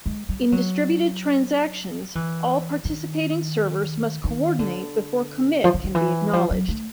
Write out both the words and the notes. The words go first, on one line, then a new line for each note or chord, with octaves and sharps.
In distributed transactions, all participating servers must coordinate before commit can be acknowledged.
G#3
G3
F#3
E3
D#3
D#3
D3
F3
E3
D#3
E3
F3
F#3
A3